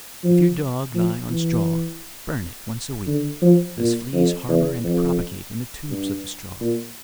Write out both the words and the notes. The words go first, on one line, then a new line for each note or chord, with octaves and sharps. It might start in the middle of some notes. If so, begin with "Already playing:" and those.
If your dog lie on straw, burn it once a week, as fleas harbour and propagate in the tubes of the straw.
F3
F3
E3
D3
F3
A#2
F2
E2
F2
G2
A#2